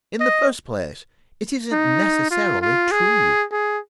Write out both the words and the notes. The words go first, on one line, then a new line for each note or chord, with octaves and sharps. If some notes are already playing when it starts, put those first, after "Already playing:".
In the first place, it isn't necessarily true.
D#5
D#4
F4
F4
G#4
G#4